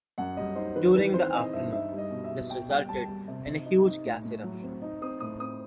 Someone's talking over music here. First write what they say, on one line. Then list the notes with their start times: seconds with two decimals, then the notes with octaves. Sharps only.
During the afternoon, this resulted in a huge gas eruption.
0.18 F#2 F#5
0.37 G3 D#5
0.56 D#4 C5
0.76 D#3 B4
0.96 E3 B4
1.14 C4 C5
1.34 C4 D#5
1.53 G2 E5
1.72 D#4 E5
1.92 G3
1.98 D#5
2.11 B2
2.24 E5
2.31 B2
2.50 B2 G5
2.69 G3 G5
2.88 G3 A5
3.08 G3
3.28 C3
3.46 D#4
3.66 D#4
3.85 D#4
4.05 A2
4.24 A2
4.44 F#3
4.62 C4
4.82 D#4
5.02 C4 D#6
5.20 A2 D#6
5.40 C4 D#6